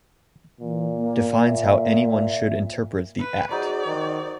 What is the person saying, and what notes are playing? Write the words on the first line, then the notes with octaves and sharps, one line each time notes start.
Defines how anyone should interpret the Act.
A#2 E3
A#3
E5
B4
F#3 D#4 G#4 C5 D5
D#3